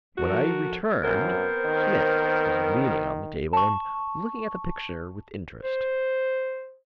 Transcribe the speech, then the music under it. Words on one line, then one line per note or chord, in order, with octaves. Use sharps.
When I returned, Smith was leaning on the table and looking at the picture with interest.
F3 F#4 A4 A#4
F#2 B3 C4 A#4 C5
D#3
A5 C#6
C5